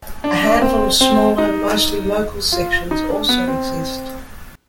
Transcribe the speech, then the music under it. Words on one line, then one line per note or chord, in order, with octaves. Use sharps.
A handful of smaller, mostly local sections also exist.
D4
D4
C4
C4
D#4
F4
D#4
D4
B3
C4